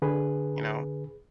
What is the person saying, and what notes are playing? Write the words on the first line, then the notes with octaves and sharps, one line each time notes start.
You know?
D3 G#4 B4